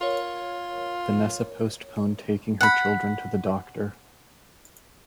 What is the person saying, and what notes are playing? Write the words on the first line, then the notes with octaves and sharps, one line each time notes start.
Vanessa postponed taking her children to the doctor.
F4 A#4 C#5
F#5 B5